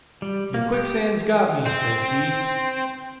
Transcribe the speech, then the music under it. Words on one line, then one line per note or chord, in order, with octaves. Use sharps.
The quicksand's got me,' sez he.
G3
A#3
G4
C4